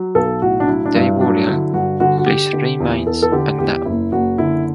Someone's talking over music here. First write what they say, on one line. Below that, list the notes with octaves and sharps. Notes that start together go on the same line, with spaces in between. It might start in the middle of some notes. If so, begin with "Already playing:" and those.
Their burial place remains unknown.
Already playing: F#3
B1 A4
A2 F#4
D4
F#3 E4
D4
G2 E4
F#3 D4
D3 E4
G2 F#4
D3 F#4
F#4
D3 G4
D3
E2
E2 A4
A4
D3 G4
E2 G4
F#1 E4
F#1 F#4
D3 E4